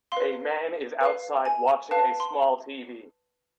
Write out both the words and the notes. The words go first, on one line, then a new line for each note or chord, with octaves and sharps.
A man is outside watching a small TV.
B4 F5 C6
B4 F5
G#5
B4 F5 A5
C6